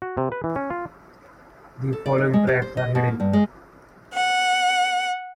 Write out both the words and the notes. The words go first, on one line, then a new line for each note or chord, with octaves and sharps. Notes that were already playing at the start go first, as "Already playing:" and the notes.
The following tracks are hidden.
F#4
C3
B4
E3
C#4
F4
A4
D5
D#4
G#3
G4
C5
D#5
B2
A#3
G2
G#3
F#5